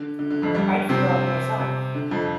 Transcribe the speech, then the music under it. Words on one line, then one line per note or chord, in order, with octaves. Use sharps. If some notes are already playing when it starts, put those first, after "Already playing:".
I’d forgotten myself.
Already playing: D3
D3
D3
F2 F3
G2 G3
C3 C4
C3
D3
F2 F3